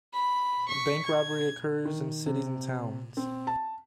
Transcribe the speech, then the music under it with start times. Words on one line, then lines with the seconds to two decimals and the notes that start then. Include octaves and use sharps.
Bank robbery occurs in cities and towns.
0.13 B5
0.69 C#6 B6
1.06 G#6
1.85 D#3
2.26 C3
3.17 C4
3.47 A5